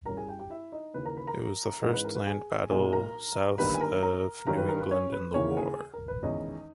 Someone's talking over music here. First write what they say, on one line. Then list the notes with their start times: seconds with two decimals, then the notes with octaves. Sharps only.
It was the first land battle south of New England in the war.
0.06 G2 G3 C#4 E4 A#4 A#5
0.17 G#4 G#5
0.28 G4 G5
0.39 G4 G5
0.50 E4 E5
0.72 D#4 D#5
0.94 D#2 C#3 E3 A#3 B4
1.05 A#4 A#5
1.17 B4 B5
1.27 A#4 A#5
1.82 G#2 E3 G#3 C#4 D#4 D#5
1.93 B4
2.05 A#4
2.15 B4
2.27 G#4 G#5
2.70 B1 A#2 A#3 D#4 G#4 G#5
2.93 A#4 A#5
3.58 G1 G2 D#3 G3 A#3 B4 B5
3.74 G#5
3.81 A#4 A#5
4.03 A#4 A#5
4.47 G2 D#3 G3 C#4 A#4 A#5
4.58 B4
4.69 A#4
4.80 B4
4.91 C#4 C#5
5.12 B4
5.34 D#2 C#3 E3 A#3 C#4 C#5
5.57 G#4 G#5
5.94 A#4
6.08 B4
6.23 E2 D#3 G#3 C#4 D#4 E4 D#5